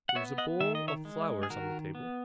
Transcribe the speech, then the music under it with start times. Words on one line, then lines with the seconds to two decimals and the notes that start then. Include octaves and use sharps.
There was a bowl of flowers on the table.
0.09 F#5
0.15 B3 C#5 E5
0.38 D#5 F#5
0.60 D#3 E5
0.75 D#5
0.88 C#5 E5
1.05 G#3
1.43 G#4
1.50 D#3 F#4 A#4
1.95 B3